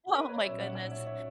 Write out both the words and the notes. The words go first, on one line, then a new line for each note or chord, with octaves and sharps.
Oh my goodness.
A#4
B4
C#5
D5
B1 A#2 F#3 C#4 C#5 E5
D5 F#5
D5 F#5
C#5 E5
C#5 E5